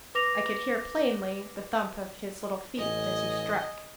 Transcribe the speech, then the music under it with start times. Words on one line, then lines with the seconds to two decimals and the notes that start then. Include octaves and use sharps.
I could hear plainly the thump of his little feet as he struck.
0.15 B4 D6 A#6 F7
2.78 A1 D#5 G#5